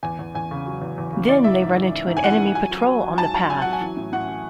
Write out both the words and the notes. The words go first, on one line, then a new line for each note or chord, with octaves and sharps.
Then they run into an enemy patrol on the path.
E2 G#5
E2
E2 G#5
C#3
F#3
E2
E2
C#3
E3 D5
E3 E5
G#2
E3
E3
G#2
G#5
E3 F#5
G#2
F#3 G#5
F#3
F#3
F#3
G#2 A5
F#3 A5
F#3 G#5
F#3 F#5
G#5
E3
A2
A2 F#5
E3